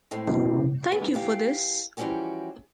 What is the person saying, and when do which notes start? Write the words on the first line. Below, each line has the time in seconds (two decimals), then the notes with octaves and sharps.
Thank you for this.
0.11 A2 G#3 C4
0.92 B3
1.14 E2 G4 F5
1.97 E3 F3 G3 C#4 F#4 G4